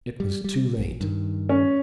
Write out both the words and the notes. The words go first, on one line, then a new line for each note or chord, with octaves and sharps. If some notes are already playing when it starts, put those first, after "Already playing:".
It was too late.
G3
G3
A#1
G2 D#3
C#4